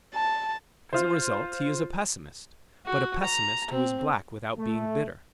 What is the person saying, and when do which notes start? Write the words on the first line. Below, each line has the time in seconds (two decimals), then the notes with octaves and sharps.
As a result, he is a pessimist, but a pessimist who is black without being bitter.
0.14 A5
0.93 F4 C5
2.86 F#4
3.23 A#5
3.71 C4
4.57 A3